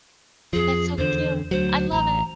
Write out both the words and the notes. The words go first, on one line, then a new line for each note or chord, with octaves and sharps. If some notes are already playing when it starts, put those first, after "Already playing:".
that's so cute. I love it.
F2 F3 G#4
E2 D3 C5
D2 F#3 C5
A1 A#5